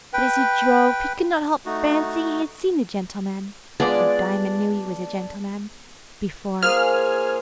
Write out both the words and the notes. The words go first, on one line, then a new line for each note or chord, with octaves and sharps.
But as he drove, he could not help fancying he had seen the gentleman--for Diamond knew he was a gentleman--before.
B4 G5
A3 D#4 F#4
G#3 B3 D4 F4 D5
F3 A#3 G#4 C5 F6